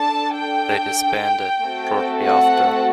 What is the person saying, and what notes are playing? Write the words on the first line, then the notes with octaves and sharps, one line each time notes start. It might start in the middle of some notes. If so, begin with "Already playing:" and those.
They disbanded shortly after.
Already playing: D4 A4 A5
G5
A3 C4 F#4 A4
F#5